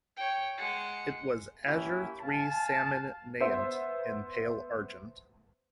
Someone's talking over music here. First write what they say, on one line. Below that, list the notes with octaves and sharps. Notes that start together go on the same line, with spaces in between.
It was "Azure three salmon naiant in pale argent".
C#5 G5
G#3 F#5
A#3 C#4 E4 G4
F5 G#5 A5
B3 C5 E5